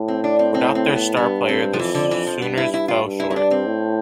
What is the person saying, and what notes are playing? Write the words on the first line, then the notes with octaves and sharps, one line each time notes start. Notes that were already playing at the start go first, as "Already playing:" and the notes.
Without their star player, the Sooners fell short.
Already playing: A2
C4
D4
C4
C4
C4
B3
G2 B3
C4
F3
F2 E3
D3
E3
F3
G2 B3
E4
E4
F4
G2
E4
E4
D4
C4
A2